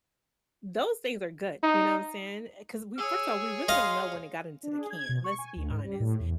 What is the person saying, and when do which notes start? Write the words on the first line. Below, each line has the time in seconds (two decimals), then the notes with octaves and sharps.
those things are good, you know what I'm saying? 'Cause we first of all, we really don't know when it got into the can, let's be honest,
1.63 D#4
2.98 G#4 C#5 E6
3.69 D#5 F5 C6
4.63 D4
4.78 G#4
4.90 G#6
5.09 B2
5.24 C#6
5.38 G#5
5.56 D2
5.70 G#2
5.84 G3
6.00 A2
6.20 E2